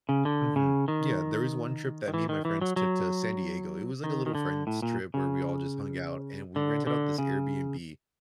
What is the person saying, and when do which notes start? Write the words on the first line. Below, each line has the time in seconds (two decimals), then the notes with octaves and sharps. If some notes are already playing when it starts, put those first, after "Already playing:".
Mhm. Yeah. There is one trip that me and my friends took to San Diego. It was like a little friend's trip where we all just hung out, and we rented out this Airbnb.
0.09 C#3
0.25 D3
0.56 C#3
0.88 D#3
2.08 D#3
2.14 E3
2.29 D#3
2.45 E3
2.61 F#3
2.76 F#3
4.04 D#3
4.26 D#3
4.35 D3
4.67 A2
4.82 A#2
5.14 C#3
6.56 D3
6.87 D3
7.18 C#3